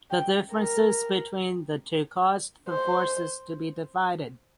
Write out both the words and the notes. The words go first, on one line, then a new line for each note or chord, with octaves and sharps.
The differences between the two caused the forces to be divided.
G5
A#4
C5